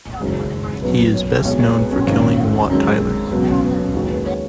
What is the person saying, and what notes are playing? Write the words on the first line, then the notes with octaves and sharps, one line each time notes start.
He is best known for killing Wat Tyler.
F#1 F#2 D#3 G#3
B1 B2 F#3 B4
C#5
B1 B2 G#3 C#5
C#5
B3
C#4
G#1 F#2 D#3 C#4
F#2 D#3 G#3
C#2 B2 F#3 B3
C#4
B3
C#4
D#2 D#3 G#3 F#4
B4
C#5